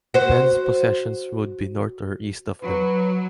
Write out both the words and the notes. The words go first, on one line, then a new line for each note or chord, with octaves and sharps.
Penn's possessions would be north or east of them.
F#4 C5
F#3 B4